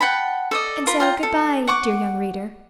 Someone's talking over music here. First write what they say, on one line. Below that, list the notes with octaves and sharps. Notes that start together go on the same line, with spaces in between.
And so good-bye, dear young reader!
F#5 G5 A5 B5
A4 D5 D#5
F4 A#4 B5
F4 G5 A#5
A4
F#5 C#6 D6